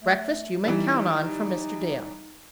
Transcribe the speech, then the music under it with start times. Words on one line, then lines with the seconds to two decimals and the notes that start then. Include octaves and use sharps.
Breakfast you may count on from Mr. Dale.
0.03 A3
0.65 E3 G3 D#4